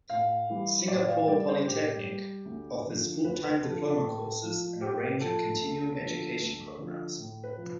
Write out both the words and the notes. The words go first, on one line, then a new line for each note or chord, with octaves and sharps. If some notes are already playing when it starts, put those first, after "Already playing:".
Singapore Polytechnic offers full-time diploma courses and a range of continuing education programmes.
A2 F5
E3 G3
A2 D5
F5
G3 D5
C5
A2 G4
G3
D2
D3 F3
D2 B4
B4
D3 F3 A4
A4
A2
F3
A2 G4
F3 A4
D2
D3 F3
D2
D3 F3
A2
B4
F3